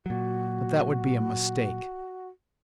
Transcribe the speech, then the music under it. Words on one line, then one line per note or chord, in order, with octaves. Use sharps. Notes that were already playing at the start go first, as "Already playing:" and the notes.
But that would be a mistake.
A#2 F#3 F#4